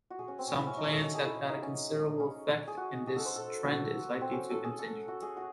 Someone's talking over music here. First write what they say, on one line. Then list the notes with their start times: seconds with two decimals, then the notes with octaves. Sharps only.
Some plans have had a considerable effect, and this trend is likely to continue.
0.10 F#4
0.19 G#4
0.28 C#4
0.39 C4
0.47 C#4
0.58 E4
0.67 C#4
0.77 D#4
0.91 A4
1.05 A4
1.15 G#4
1.25 E4
1.48 D#4
1.62 C#4
2.20 C#4
2.68 G#4
2.77 F#4
3.07 G#4
3.16 A4
3.25 C5
3.36 A4
3.64 F#4
4.21 C4
4.32 C#4
4.50 A4
4.64 G#4
4.79 A4
5.08 F#4
5.22 G#4
5.37 F#4